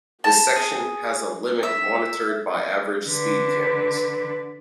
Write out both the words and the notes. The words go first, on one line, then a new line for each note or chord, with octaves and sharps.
This section has a limit monitored by average speed cameras.
A5
G#4
E5
D3 B4